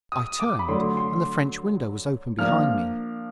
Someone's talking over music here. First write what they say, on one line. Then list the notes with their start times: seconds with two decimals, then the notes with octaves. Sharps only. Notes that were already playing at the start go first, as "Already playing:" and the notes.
I turned, and the French window was open behind me.
0.12 D#6
0.40 D6
0.59 B5
0.68 D3 F#3 A3 C6
0.97 C6
2.38 F3 A#3 D4 F6